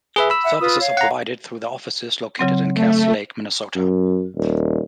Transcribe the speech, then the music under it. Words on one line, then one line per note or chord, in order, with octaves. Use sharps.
The services are provided through their offices located in Cass Lake, Minnesota.
G#4 B4 E5
B5 E6
E5 F#5
F4 B4 D#6
C#5 F5
F#5 A#5
C#3 F#3 C4
A3
F#2
D#1